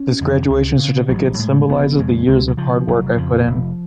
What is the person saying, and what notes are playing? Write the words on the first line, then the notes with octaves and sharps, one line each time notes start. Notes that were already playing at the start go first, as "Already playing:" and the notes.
This graduation certificate symbolizes the years of hard work I put in.
Already playing: C#4
F2 D3
C#2
C#3
A1 F#3
F#3
A2 G#3
F1 B3
F2 C#3 G#3
C#2 G#3
F#3
C#3 F3
F1 F#3
F2 C#3 F3
F1